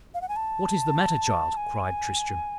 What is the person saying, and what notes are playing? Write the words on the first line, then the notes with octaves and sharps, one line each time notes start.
"What is the matter, child?" cried Tristram..
F5
F#5
G#5
A5
G#5